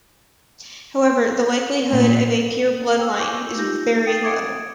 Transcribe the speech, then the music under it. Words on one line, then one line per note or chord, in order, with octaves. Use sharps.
However, the likelihood of a pure bloodline is very low.
A#2
G5 E6
G#5 C#6 D6 E6 G6
D#4 F4 G4 G6 A#6
G5 D#6 A6 C7
D6 D#6 G#6 C#7 D7